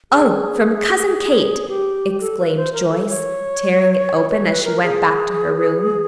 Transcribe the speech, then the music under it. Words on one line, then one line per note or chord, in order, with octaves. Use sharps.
"Oh, from Cousin Kate!" exclaimed Joyce, tearing it open as she went back to her room.
G#4
G4
A4
B4
C5
A#4
A4
C#5
C#5
B4
A#4
G#4